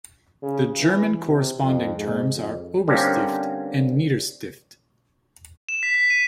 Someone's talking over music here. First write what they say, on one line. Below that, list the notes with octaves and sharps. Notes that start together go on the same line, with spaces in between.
The German corresponding terms are "Oberstift" and "Niederstift".
C#3
E3
C3
F2
G#2
F2
D3 G3 A#3 C4 C#4
E7
B6
B6
D#7